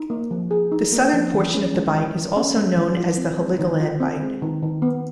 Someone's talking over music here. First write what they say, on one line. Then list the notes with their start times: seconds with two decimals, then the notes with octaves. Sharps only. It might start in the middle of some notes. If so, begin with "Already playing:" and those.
The southern portion of the bight is also known as the Heligoland Bight.
Already playing: D#4
0.10 A#3
0.31 F3
0.51 G#4
0.72 D#4
0.92 A#3
1.13 F3
1.34 E3
1.54 C#4
1.74 G#3
1.94 E3
2.16 E3
2.37 C#4
2.57 G#3
2.77 E3
2.97 F4
3.18 C4
3.39 G#3
3.59 D#3
3.80 F4
4.00 C4
4.22 G#3
4.42 D#3
4.62 D#3
4.82 B3